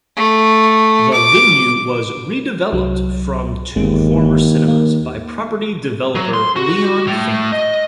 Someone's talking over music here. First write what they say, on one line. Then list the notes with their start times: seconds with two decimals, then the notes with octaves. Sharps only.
The venue was redeveloped, from two former cinemas, by property developer Leon Fink.
0.17 A3
1.13 D6
2.72 C2 F#3
3.75 G1 D#2 G#3
4.68 A#3
6.15 F#3
6.34 C6
6.56 F#4
7.07 A2
7.52 D#5